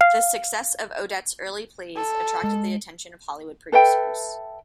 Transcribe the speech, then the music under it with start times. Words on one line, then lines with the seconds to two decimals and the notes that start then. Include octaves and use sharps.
The success of Odets's early plays attracted the attention of Hollywood producers.
0.01 F5
1.96 A4
2.44 G#3
3.72 A4 B4 E5 G5